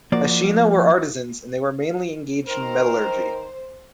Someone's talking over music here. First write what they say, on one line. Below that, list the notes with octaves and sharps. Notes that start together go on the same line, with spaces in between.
Ashina were artisans, and they were mainly engaged in metallurgy.
F3 A#3 F#4 D5
D#3 A#4 C5